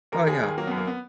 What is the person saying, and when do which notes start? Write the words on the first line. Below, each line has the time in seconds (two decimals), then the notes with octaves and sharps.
Oh, yeah.
0.12 D#2 A#4
0.27 D#2 G#4
0.42 D#3 G#4
0.58 F#3 A#3
0.67 F#2 B3
0.77 A#3
0.87 B3